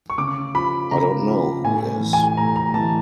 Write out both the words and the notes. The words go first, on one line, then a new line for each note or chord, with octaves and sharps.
I don't know who is.
C#6
C#3 D6
F3 B5
C#3 A#5
F3
A2 G#5
E3
G#5
A2 A#5
A#5
E3 A5